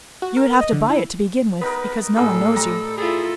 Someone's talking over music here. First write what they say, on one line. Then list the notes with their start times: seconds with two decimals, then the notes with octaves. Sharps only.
You would have to buy it to begin with, because no one knows you.
0.22 F#4
0.37 A#4
0.61 D#5
0.73 D3
0.90 E4
1.61 B3 D#4 A#4 B4
2.17 A2 G3 G#3 D#4 A4
2.56 G3 A#5
2.98 E4 F4 G#4 A4